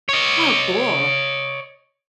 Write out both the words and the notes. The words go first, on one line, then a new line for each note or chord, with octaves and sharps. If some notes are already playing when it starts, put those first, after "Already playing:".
Oh, cool.
C#5 D#5